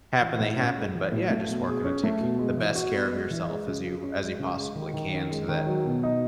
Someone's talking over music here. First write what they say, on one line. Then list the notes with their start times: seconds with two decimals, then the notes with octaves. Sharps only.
happen, they happen, but yeah, just working to take the best care of yourself as you as you possibly can so that
0.21 E3
0.39 A2
0.58 C#4
0.76 G#3
0.95 E3
1.12 A2
1.30 A3
1.48 B2
1.67 G#4
1.84 C#4
2.04 A3
2.21 B2
2.39 G#3
2.57 E3
2.75 F#4
2.94 B3
3.12 G#3
3.30 E3
3.48 G#3
3.67 C#3
3.85 G#4
4.03 C#4
4.21 G#3
4.39 C#3
4.57 G#3
4.75 D#3
4.94 D#3
5.13 C#4
5.31 G#3
5.48 D#3
5.67 F#3
5.85 B2
6.03 D#4